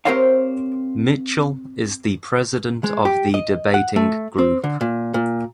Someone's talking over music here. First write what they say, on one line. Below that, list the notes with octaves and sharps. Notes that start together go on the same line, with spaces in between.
Mitchell is the President of the Debating Group.
C4 G4 A#4 C5 C#5 F5
G#3
G4
D#5
F#5
A3
C4
D3
A#2
A#2